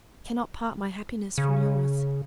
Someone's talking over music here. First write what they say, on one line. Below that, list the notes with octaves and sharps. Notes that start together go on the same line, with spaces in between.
I cannot part my happiness from yours.
C#3